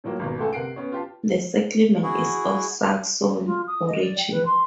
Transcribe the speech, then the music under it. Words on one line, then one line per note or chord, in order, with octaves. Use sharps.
The settlement is of Saxon origin.
A2 F3 F#3 A#3
G#1 B2 A#5
C#2 A3 A4 G#5
C3 A#4 F#5 C7 D7
B3 C#4
F4 G4 A5
E4 F#4 G#4
F4
D#6
D#5
D5
G5
B4
C6